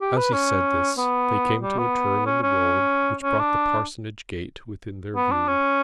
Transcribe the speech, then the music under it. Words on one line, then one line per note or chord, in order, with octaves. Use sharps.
As he said this they came to a turn in the road which brought the parsonage gate within their view.
G4
B4
C#4
B3
G3
B3
C#4
C#4
C#4
D4
B3
D4
C#4